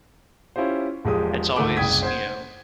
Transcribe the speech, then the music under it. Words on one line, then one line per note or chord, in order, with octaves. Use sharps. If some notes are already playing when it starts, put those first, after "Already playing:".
it's always, you know,
C#4 E4 F4 G4 C5
E1 F3 G#3 G4 D#6
D2 G#2 A3 F#5 D6
F#1 C2 G5 D#6 G#6 B6
C5 F#5 G#6